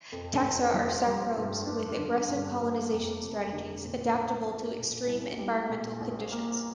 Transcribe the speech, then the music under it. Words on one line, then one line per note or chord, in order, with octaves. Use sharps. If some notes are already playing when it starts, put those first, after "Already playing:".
Taxa are saprobes with aggressive colonization strategies, adaptable to extreme environmental conditions.
F2
F1
F3
G3
G2
D4
D3
G2
A#3
F2
F1
D3
A#2
A#1
A#3
A#2
C2
G3
A#2
A#1
A#3